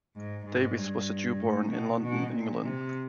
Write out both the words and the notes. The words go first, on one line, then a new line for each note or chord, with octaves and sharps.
Davies was a Jew born in London, England.
G#2
G#2
G2
A2
B2
B2
A#2
C3